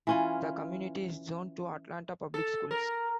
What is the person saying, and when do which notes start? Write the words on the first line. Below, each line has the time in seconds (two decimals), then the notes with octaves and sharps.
The community is zoned to Atlanta Public Schools.
0.07 E3 C#4 F4
2.34 A4
2.71 A#4